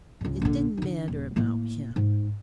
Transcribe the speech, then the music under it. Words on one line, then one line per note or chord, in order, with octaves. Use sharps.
It didn't matter about him.
C#2 G#2
A#1 D3
D3 D#4
D#1
A2 A#3
G#2